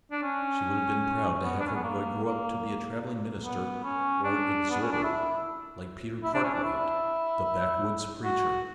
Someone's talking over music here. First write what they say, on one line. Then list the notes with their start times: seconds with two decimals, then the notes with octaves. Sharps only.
She would have been proud to have her boy grow up to be a traveling minister or exhorter, like Peter Cartwright, "the backwoods preacher."
0.12 D4
0.23 C#4
1.43 B3
1.60 D4
1.67 C#4
1.75 B3
1.84 A#3
2.24 A#3
3.44 B3
3.84 C#4
4.24 D4
4.70 B3
4.82 C#4
4.92 D4
5.04 E4
6.24 E4
6.34 D4
6.44 C#4
6.54 D4
6.64 E4
8.24 F#4